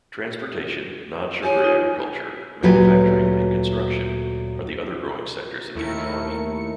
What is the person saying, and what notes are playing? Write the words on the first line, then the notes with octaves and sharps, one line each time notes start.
Transportation, non-sugar agriculture, manufacturing and construction are the other growing sectors of the economy.
G4 C#5 G#5
D#4 F4
D2 A#2 F#3 G4 B4 G#5
D#2 A3 E4 A#4 C#7